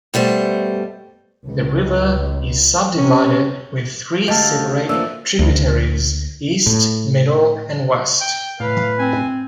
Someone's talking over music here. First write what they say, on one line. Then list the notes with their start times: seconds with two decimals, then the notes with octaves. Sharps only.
The river is subdivided with three separate tributaries: East, Middle, and West.
0.14 B2 G3 A3 C5
1.45 C#2
2.97 C3 C#4
4.28 D2 G4 A4 D#5 F5 A5
4.89 E3 F3 A#3 D4 A4 E6
5.39 D2
6.66 A2
8.21 G5
8.60 A2 B4 F5
8.99 C4 G#5